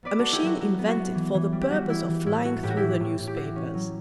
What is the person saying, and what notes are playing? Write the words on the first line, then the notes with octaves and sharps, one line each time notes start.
A machine invented for the purpose of flying through the newspapers.
B3 B4 D5
B3 F#4 A4
E4 G4
F#3 F#4
E4 F#4
B3
F#4
B3
E3
E3
G3
G4
G3 F#4
E3 E4
E3
A2 E4
B3 F#4
A2 G4
F#4
E3 E4 G4
A2
A2
G4
E4 F#4
C#4
F#3